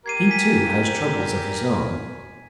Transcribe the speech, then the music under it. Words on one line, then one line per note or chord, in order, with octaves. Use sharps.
He, too, has troubles of his own.
G4 A#4 G#6 C7 D#7
G#5 B6 D#7